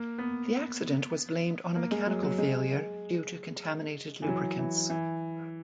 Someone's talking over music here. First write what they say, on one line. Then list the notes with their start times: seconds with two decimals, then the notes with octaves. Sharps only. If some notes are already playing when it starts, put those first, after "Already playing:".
The accident was blamed on a mechanical failure due to contaminated lubricants.
Already playing: A#3
0.18 B3
1.76 A#3
1.91 G#3
2.06 F#3
2.23 F#3
2.38 G#3
4.22 E3
4.28 F#3
4.59 E3
4.90 E3